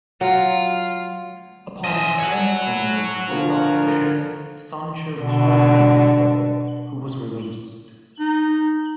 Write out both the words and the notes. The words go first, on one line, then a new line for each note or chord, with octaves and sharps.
Upon dispensing with this opposition, Sancho pardoned his brother, who was released.
F#3 F4
C#4 C5 D#5 E5 G#5
A4 C#5 F#5
E4
D3 F3 A#4 A#5
B2 D3
D#4